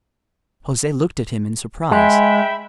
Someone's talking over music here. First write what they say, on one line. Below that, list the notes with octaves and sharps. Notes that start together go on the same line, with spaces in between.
Jose looked at him in surprise.
G#3 E5 G5 B5